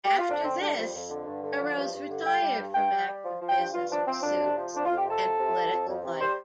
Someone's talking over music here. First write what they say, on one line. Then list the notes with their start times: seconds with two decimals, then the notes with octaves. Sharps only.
After this, Burrows retired from active business pursuits and political life.
0.05 G4
0.18 F4
0.28 F2 D4
0.44 D3 C4
0.61 G3 D4
0.77 F2
0.94 F2
1.10 D3
1.27 G2
1.43 D3
1.60 F3
1.77 G2
1.92 G2
2.09 D3
2.26 G3 G5
2.43 G3
2.58 G2
2.75 G2 G5
2.92 G3
3.08 G3
3.24 F3
3.41 F3
3.49 G5
3.58 G2
3.73 G2 F4
3.91 F3 D4
4.07 F3 C4
4.23 F2 D4
4.40 C3
4.56 F3
4.73 F2 D4
4.85 F4
4.90 F2
4.97 G4
5.06 C3 A4
5.22 F2
5.38 C3
5.55 G3
5.72 F2
5.88 F2
6.05 C3
6.21 G3 C5